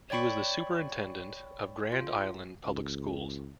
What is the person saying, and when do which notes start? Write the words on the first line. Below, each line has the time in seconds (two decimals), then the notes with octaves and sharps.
He was the superintendent of Grand Island Public Schools.
0.10 C#5 D5 G5 B5 C#6
1.92 F4
2.66 C#2